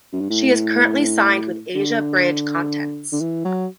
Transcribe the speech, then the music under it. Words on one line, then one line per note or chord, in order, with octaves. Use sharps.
She is currently signed with Asia Bridge Contents.
F#2
G2
A2
D3
D3
E3
F#3